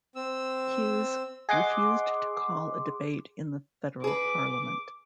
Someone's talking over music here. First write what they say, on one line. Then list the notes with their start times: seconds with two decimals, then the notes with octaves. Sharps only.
Hughes refused to call a debate in the Federal parliament.
0.16 C4 E6
1.49 G#4 D#5 F#5 C6 D6
4.04 G#4 B4 D6